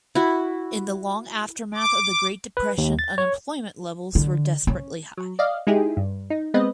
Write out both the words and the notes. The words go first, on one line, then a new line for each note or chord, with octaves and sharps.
In the long aftermath of the Great depression unemployment levels were desperately high.
E4 F#4
D6
B4
D#2
A6
C#5
D3
C#4
F#3
D5 D#5 F5
G#3 D#4 E4 G4 G#4
G2
D#4
G#3 B3 C4 B4 D#5